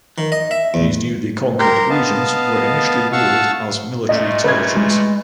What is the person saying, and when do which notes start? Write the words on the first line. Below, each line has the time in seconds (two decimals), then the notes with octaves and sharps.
These newly conquered regions were initially ruled as military territories.
0.18 D#3
0.32 D#5
0.51 E5
0.74 E2
1.59 G4 A#4 A#5 C6
1.90 B3 D#5 F5 A5
3.12 F5 F#5 A5 C#6 E6
4.09 A#2 A3 D#5
4.44 B4 G#6
4.77 G#3